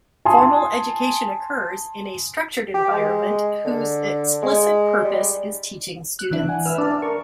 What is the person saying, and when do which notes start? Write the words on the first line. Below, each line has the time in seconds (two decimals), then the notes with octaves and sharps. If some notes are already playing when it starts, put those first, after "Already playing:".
Formal education occurs in a structured environment whose explicit purpose is teaching students.
0.25 G#5 A5 C6 D#6
2.74 G4
2.90 G#3
3.65 D3
4.43 G#3
5.04 G3
6.19 F#6
6.31 E3 D4 E4
6.49 F#5 G#5
6.66 B4 E5 E6 F6
6.78 D4 D5 A5
7.02 A#4 C#6